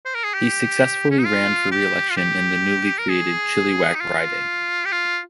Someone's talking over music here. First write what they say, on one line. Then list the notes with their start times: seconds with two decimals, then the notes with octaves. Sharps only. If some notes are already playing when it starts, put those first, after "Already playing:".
He successful ran for re-election in the newly created Chilliwack riding.
0.05 C5
0.15 A#4
0.24 G#4
0.34 G4
1.11 C#4
1.18 D#4
1.25 F4
1.71 G4
2.10 F4
2.17 G4
2.98 A#4
3.09 G#4
3.95 D#4
4.00 F4
4.85 G4
4.92 F4